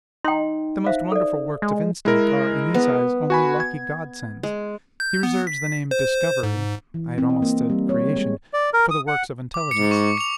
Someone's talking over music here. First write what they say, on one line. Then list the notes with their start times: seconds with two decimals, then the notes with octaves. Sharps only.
The most wonderful works of instinct are, in his eyes, only lucky GOD-SENDS; he reserves the name DISCOVERY--I had almost said creation--for the works of intelligence.
0.24 D#4 G5 C6
0.86 C5 E5 F5
1.12 A4 D5
1.62 G#3
2.05 G#3 E4 A#4
2.74 B3
3.30 F#4 G#5 B5
3.60 G#6
4.43 G#3
5.00 G6
5.23 B3
5.47 B6
5.91 C5
6.43 G#2
6.94 E3
7.18 C4
7.29 D#5
7.42 A#3
7.70 G3
7.89 C#5
8.17 G#3
8.53 D5
8.74 A#4
8.91 D#6
9.08 F#5
9.54 D6
9.71 G#2 C#7
9.91 C#6
10.18 C#7 F7